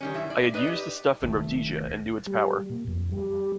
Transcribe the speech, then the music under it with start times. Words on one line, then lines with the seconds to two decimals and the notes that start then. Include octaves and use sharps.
I had used the stuff in Rhodesia and knew its power.
0.01 D#3 G3 C#4
0.14 F#2 E4 E5
0.30 D5
0.54 D#4 B4 D5 D#5
0.67 G4
1.22 D#1 C2 D#3 A3
2.27 G3
2.70 A#2
2.87 F2
3.12 G3